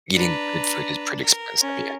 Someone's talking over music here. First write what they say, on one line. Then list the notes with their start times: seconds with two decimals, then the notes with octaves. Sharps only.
Eating good food is pretty expensive, yeah.
0.15 D4 B4 A#5
1.22 A#4
1.61 C#4